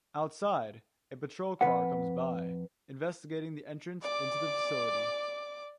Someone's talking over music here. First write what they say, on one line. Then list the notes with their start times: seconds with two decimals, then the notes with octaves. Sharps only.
Outside, a patrol car comes by, investigating the entrance into the facility.
1.61 F2 C#3 B4 F#5
4.02 D5 D6